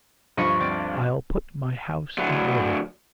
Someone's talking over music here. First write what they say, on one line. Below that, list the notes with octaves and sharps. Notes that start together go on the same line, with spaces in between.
I'll put my house in order.'
D2 G2 F3 D#5 B5 C#6
C4 D5
D2 F#3